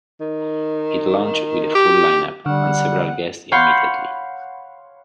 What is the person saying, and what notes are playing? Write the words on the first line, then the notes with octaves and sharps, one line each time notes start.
It launched with a full lineup, and several guests immediately.
D#3
G4
D3 G3 F#5
C#5 F5 F#5 B5 C6 G6